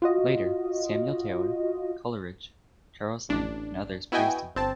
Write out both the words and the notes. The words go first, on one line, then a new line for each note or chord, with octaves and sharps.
Later, Samuel Taylor Coleridge, Charles Lamb and others praised him.
F4 F#4 D#5
A1 D4
B3 E4 F#4 D#5 G5 G#5
G1 C4 A5